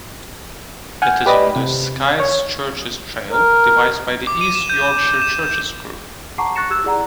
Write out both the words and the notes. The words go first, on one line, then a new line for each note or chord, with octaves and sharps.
It is on the Sykes Churches Trail devised by the East Yorkshire Churches Group.
F#5 G#5 F6 G6
G4 B4 D5 D#5 B5
C3
C#5
A#4
D6
D#7
E7
G6
E7
F#5 A5 A#5 C#6 D6 C7
C#6 F#6 A6 A#6 C#7 E7
G4 E6 F#6 G#6 E7
E4 G#4 D5 F#5 A#5